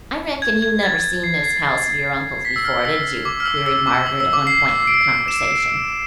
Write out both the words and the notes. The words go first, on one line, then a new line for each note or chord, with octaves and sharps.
"I reckon you never seen this house of your uncle's before, did you?" queried Margaret at one point in the conversation.
G#6
G#6
A6
C7
C7
B6
E6
F6
E6
D6
F6
E6
E6
D6
E6
E6
D6
C7
D7
E7